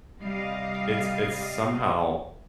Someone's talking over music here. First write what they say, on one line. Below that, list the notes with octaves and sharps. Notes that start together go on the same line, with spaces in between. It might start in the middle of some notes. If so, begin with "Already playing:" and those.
it's it's somehow,
C3 G3 D#5 F5